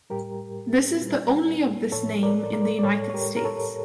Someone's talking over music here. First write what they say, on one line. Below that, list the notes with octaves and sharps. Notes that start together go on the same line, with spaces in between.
This is the only of this name in the United States.
A2 G3 G4 A#4
A#2 G3
A2 F3 A4 C#5
A#4 D5
A#4 D5
D5
A2 G3 A4 C#5
C#5
G4 A#4
A#4
A4 C#5